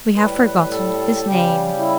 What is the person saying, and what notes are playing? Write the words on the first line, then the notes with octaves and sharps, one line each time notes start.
We have forgotten his name.
A2 G3 B4
A4
C#3 G3 G4
E4